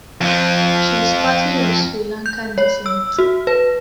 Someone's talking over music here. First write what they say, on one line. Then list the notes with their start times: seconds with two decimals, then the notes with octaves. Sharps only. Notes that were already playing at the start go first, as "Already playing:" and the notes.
She is partly of Sri Lankan descent.
0.21 F2 F3
2.26 G6
2.58 C#5
2.86 E6
3.19 F#4
3.47 B4